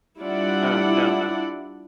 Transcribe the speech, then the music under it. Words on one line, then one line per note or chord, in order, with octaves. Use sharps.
Uh, no, no.
G3 D4 E4 F4 D5 F#5